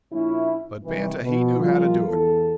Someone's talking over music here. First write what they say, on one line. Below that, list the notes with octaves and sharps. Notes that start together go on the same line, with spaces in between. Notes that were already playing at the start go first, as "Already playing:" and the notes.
But Banta he knew how to do it.
A#1 A#2 C#4 E4
C2 D#3 E3
B2
F3 G3 G#3 A#3 F4
E2 A4